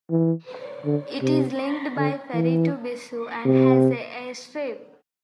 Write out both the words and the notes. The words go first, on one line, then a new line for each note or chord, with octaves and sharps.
It is linked by ferry to Bissau and has an airstrip.
E3
D3
C3
D3
E3
C3